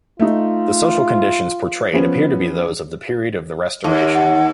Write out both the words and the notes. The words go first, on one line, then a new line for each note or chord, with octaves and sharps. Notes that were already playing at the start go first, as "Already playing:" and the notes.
The social conditions portrayed appear to be those of the period of the Restoration.
A3 D#4 F4
F3 B3 C#4
D#2
F#5